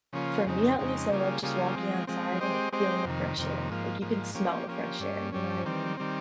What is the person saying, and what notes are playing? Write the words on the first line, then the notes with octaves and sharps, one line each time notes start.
for me at least, I love just walking outside and, like, feeling the fresh air. Like, you can smell the fresh air, you know what I mean?
C#3 F3 A#3 C#4 F4
F2 C#3 G#3 C4 D#4
F2 C#3 G#3 C4 D#4
C#3 G3 A#3 F4 G#4
C#3 G3 A#3 F4 G#4
F3 G#3 C4
F3 G#3 C4
G#3 C4 G4 C5 D#5
G#3 C4 G4 C5 D#5
F2 C3 D#3
F2 C3 D#3
G#2 F3 A#3
G#2 F3 A#3
F3 A#3 C#4 G4
F3 A#3 C#4 G4
G2 G3 C#4
G2 G3 C#4
D#3 G3 C4
D#3 G3 C4